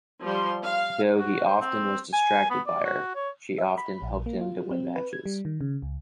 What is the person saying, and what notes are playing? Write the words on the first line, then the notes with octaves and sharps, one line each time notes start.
Though he often was distracted by her, she often helped him to win matches.
F3 G3 C6
F5
F#4
C5
C4
G#5
B3
D5
F#4
C#5
E5
B5
A#1
A#3
F4
C4
B4
G#6
G3
D#3
C#3
C#2